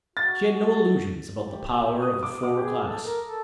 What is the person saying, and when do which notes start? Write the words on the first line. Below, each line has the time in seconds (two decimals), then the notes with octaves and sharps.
She had no illusions about the power of the former class.
0.17 F#4 A6
1.40 G4
2.02 D#6
2.23 D6
2.43 D6
2.57 G4
2.64 G#4
2.85 A4
3.05 A#4
3.26 A4